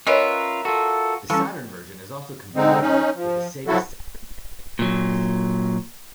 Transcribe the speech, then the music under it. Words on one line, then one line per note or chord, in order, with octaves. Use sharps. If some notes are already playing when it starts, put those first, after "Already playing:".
The Saturn version is also compatible with the Sega Saturn Netlink Mouse.
C#4 F4 A#4 B4 C#5 D#5 E5
F4 F#4 A4
E3 G3 C#4 A4 C#6
D3 G#3 C4 D#4
C#4 D#4
F3
F3 F#3 E4 F#4 A4
A#2 F#3